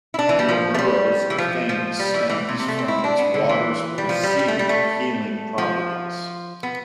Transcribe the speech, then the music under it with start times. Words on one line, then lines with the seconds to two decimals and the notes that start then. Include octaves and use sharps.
Iwamuro's fame stems from its waters 'perceived' healing properties.
0.14 E4
0.19 D4
0.29 E3
0.39 G3
0.49 F3
0.74 A3
0.79 G3
1.30 E3
1.38 F3
1.69 F3
1.99 G3
2.14 E3
2.29 E3
2.48 C3
2.59 C3
2.68 A3
2.79 C4
2.88 E4
2.98 C4
3.04 D4
3.19 B3
3.34 D3
3.49 E3
3.98 G3
4.09 F3
4.23 G3
4.39 G3
4.48 A3
4.59 G3
4.69 A3
5.58 F3
6.63 B3